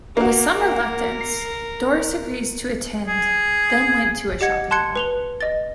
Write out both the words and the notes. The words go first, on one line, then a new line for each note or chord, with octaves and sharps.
With some reluctance, Doris agrees to attend then went to a shopping mall.
A#3 F#4 A#4
C7
G#4
G4 D#5 F#5 G#6 C#7
A5 C6 F#6 G#6 C#7
B4 F7 G7
D#5 A6